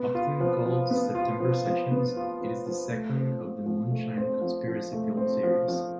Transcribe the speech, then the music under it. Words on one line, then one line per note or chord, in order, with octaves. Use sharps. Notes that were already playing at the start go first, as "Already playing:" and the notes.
Often called September Sessions, it is the second of The Moonshine Conspiracy film series.
Already playing: B3
F4
F3
F3
B3
F4
F3
F3
B3
F4
F3
F3
A3
C4
F3
F3
A3
C4
F3
F3
A3
C4
F3
F3